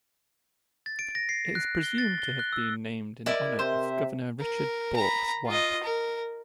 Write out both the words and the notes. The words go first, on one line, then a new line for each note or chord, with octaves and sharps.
It is presumed to have been named in honour of governor Richard Bourke's wife.
A6
D7
A#6
C7
F#6
G7
A6
G7
F#6
E6
E4 A#4 D5 D#5
C3 C5 E5
A#4
A#5 B5
F4 D#5
A#4